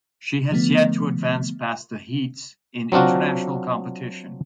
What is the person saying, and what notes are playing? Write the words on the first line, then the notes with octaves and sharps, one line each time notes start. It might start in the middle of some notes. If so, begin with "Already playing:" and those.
She has yet to advance past the heats in international competition.
D3 F3 A3 B3
F#3 C4 D4 F4 F#4